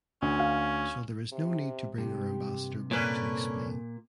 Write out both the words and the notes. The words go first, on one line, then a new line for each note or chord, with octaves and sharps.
So there is no need to bring our ambassador back to explain.
D2 C#4
F5
C3
G2 C3 G4
A#2 C#4 A4 B4 D5